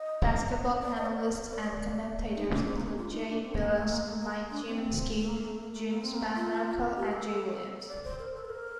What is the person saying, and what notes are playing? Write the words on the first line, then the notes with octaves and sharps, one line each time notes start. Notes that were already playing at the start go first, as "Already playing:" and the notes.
Basketball analysts and commentators include Jay Bilas, Mike Gminski, Jim Spanarkel, and Jay Williams.
Already playing: D#5
D5
D#5
C5
D5
A#4
A#4
D5
D#5
D5
D#4
D4
C4
A#3
D4
F4
D#4
D4
C4
A#3
A3
A#3
A3
A#3
D4
C4
A3
A#3
A3
A#3
A3
A#3
C4
A#3
F4
G4
A4
D5
C5
A#4
A4
C5
A#4